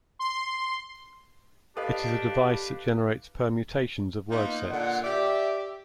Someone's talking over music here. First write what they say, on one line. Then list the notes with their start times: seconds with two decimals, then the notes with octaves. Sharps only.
It is a device that generates permutations of word sets.
0.19 C6
1.77 D4 G4 A4 B4 D#5 F5
4.30 A#3 B3 D#4 F4
4.71 A#2 D3 F#5
5.03 G4 D5 E5